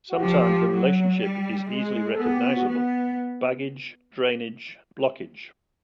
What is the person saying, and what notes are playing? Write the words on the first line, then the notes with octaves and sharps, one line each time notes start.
Sometimes, the relationship is easily recognizable: baggage, drainage, blockade.
F#4
F3 G4
F#3
G3
G#3
A4
B3 G#4
G4
F#4
F#4
B3